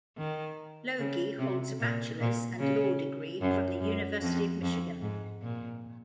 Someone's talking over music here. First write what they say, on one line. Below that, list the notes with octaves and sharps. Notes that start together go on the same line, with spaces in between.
Logie holds a bachelors' and law degree from the University of Michigan.
D#3
C#3
C3
A#2
A#2
C#3
F#2
F#2
F2
F2
G#2
A#2